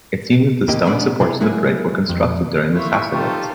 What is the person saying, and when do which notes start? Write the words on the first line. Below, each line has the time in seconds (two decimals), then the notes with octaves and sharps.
It seems that the stone-supports of the bridge were constructed during the Sassanids.
0.68 D#2 A2 A#3 C4 G4 D#5
0.85 A#3 B3 C#4 D4 D5
1.20 C3 E4 G#4 A4
1.40 F#3 G#3 A#3 E4 F#4 G#4
2.09 F2
2.73 E4 F4 E5 C#6
3.10 D#4 F4 G4 A4 C5